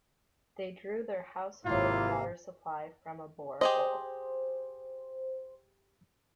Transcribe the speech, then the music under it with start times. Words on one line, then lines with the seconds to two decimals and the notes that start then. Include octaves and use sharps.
They drew their household water supply from a borehole.
1.65 G#1 C3 A#3 E4 F4 F5
3.61 G4 G#4 C5 D#5